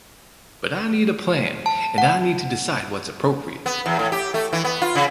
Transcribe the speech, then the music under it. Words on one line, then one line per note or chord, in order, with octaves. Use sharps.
But I need a plan, and I need to decide what’s appropriate.
A5
F#5
B3
E2
A2
G4
A3
E3
B3
F4
C#3